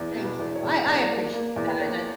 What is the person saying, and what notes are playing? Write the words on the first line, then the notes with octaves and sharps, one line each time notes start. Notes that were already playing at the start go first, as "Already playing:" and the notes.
Thank you. I I appreciate that, and I
Already playing: E2
B2
B4
E2
C#5
E2
E2 D5
C#5
D5
A#3
A#3
E2
B4
A#3 C#5